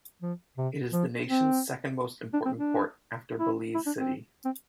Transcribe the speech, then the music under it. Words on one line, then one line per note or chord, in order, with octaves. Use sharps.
It is the nation's second most important port, after Belize City.
F3
C3
F3
C4
D4
C4
D4
E4
E4
D4
C4
C4